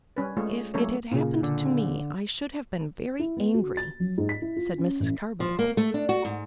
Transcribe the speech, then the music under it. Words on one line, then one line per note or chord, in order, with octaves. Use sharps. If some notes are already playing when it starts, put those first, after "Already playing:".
"If it had happened to me, I should have been very angry," said Mrs. Carbuncle.
G3 C#4 B4
G#3 A3 F4 G#4 C#5
F#3 A3 A#3 C#4 A4 C#5
A#2 C#3 G#4
D3
E4
B3
F#4
A6
F#3
G#2
B6
E4
F4
C#4
A1
F3
A#3
A3
D4
F#4
G#2